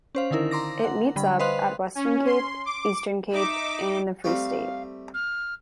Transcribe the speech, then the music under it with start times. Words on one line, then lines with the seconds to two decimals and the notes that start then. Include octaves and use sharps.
It meets up at Western Cape, Eastern Cape and in the Free State.
0.15 C#4 C5 F5
0.31 D3 D#3 D#4 E4 A#4
0.51 A#5 C6 D6 A#6
0.84 F#5
1.16 D3 G3 B5
1.39 B4 C5 D#5 F5 C6 F#6
1.95 C#4
2.26 C6
2.66 D6
3.32 D#4 E5 D6
4.24 G3 A3 C4 F5
5.14 F6